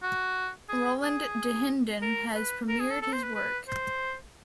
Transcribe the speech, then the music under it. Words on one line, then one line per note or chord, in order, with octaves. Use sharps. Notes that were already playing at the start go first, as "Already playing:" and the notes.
Roland Dahinden has premiered his work.
F#4
G#4
G#4
A#4
B4
A#4
G#4
A4
A4
C5
B4
B4
C5